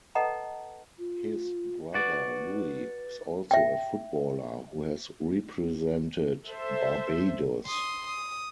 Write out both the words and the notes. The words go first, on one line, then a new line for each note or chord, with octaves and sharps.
His brother Louie is also a footballer, who has represented Barbados.
A4 B4 D#5 F#5 A5 A#5
F4
F#4 B4 D5
E5 G5
A4 C5 E5
C6 D#6
D#6